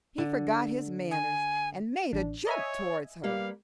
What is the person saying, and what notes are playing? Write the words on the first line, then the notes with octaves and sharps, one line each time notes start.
He forgot his manners and made a jump towards her.
D3
G#5
A1 D4
C#5 D#5 E5 G#5
G3 A#3 B4 F5